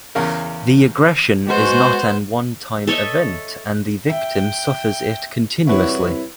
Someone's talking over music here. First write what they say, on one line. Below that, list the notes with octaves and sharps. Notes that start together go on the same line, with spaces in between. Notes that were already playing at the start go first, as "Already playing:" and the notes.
The aggression is not an one-time event and the victim suffers it continuously.
E2 C#3 A#4
G#3 B3 F#4 C5
A4 C#5 D#5 E5
E5 G5
C2 E3 E4 F#4 B4 C#5